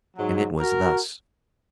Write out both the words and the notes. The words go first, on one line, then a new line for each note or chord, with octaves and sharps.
And it was thus.
G#2 F#3
F#4 A#4